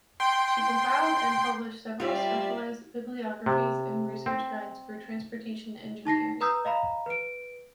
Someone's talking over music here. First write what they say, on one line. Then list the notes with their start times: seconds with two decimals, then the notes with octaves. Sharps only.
She compiled and published several specialized bibliographies and research guides for transportation engineers.
0.20 G5 C6
2.00 G3 C4 F4 C#5 D5 E5 F5
3.46 C3
4.26 C4
6.05 D#4 A5 A#6 C7
6.41 B4 A#5 D#6 E6 G6
6.65 D#5 F5 A#5 B5
7.06 B4 D7